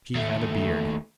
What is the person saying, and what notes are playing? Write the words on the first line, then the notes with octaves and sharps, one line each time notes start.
She had a beard.
D#2 A3